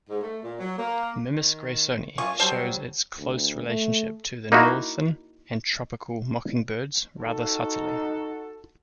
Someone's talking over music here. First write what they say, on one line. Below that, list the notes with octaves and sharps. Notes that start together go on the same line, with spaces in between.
"Mimus graysoni" shows its close relationship to the northern and tropical mockingbirds rather subtly.
G#2
A3
A#2
F#3
A#3
D#3
F#2 F4 G#5 C#6
F#3 G3 C5 A5
D2
A3
A#3 D#4 E4 F#4
D#4 F#4 A4